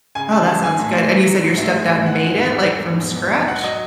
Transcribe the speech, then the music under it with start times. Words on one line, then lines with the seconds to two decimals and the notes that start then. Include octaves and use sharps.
Oh, that sounds good. And you said your stepdad made it, like, from scratch?
0.15 C#3 G#5
0.31 G#3 A5
0.47 E3 A5
0.63 G#3 G#5
0.79 A2
0.95 E3
1.11 F#3
1.27 F#3
1.43 G#2
1.58 A2 E5
1.74 G#3
1.90 A2
2.06 G#3 F#5
2.21 D#3
2.38 E2
2.53 G#2
2.69 E3
2.85 G#2
3.01 B2
3.16 E2
3.32 B2
3.48 F#3 F#5
3.63 F#3 D#5